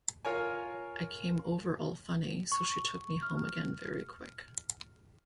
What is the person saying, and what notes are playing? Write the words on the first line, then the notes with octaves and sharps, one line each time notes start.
I came over all funny, so she took me home again very quick.
F4 A#4 C#5 G#5
C#6
F6